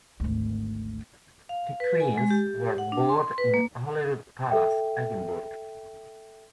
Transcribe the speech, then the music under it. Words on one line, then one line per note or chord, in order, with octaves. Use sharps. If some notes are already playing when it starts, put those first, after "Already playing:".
The twins were born in Holyrood Palace, Edinburgh.
G#1 D2
F5
B4
G#5
G#3
G4
F#5
D4
C6
B4
A#3
A4 E5 G5